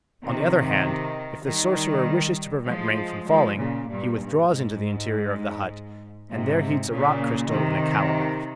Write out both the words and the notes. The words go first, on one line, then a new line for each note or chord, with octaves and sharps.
On the other hand, if the sorcerer wishes to prevent rain from falling, he withdraws into the interior of the hut, and there heats a rock-crystal in a calabash.
C3 D#3
D#3 G3
F3 G#3
F3 G#3
A#2 C#3
G2 A#2
G2
G#2
G#2 C3
A#2 C#3
C3 D#3